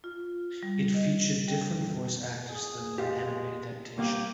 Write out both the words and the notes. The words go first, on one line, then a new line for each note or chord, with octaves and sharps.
It featured different voice actors than the anime adaptation.
F4
G3
D#5
G5
G#4
G#3 G4 F5
C2 A#3 G4 F5